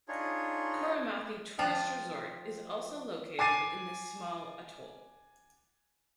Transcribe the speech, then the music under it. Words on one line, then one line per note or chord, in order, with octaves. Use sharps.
Kuramathi Tourist Resort is also located in this small atoll.
D4 D#4 F4 G#4 C#5
F3 F4 G5
G#5 D6 A6 C7 D#7